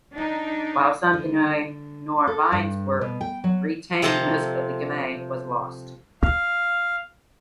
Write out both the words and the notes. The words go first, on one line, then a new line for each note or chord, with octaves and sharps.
While some Pinot noir vines were retained most of the Gamay was lost.
D4 D#4
D3
A4
G2
B2
G5
F#3
C3 F3 A4 A5 A#5 C6
F5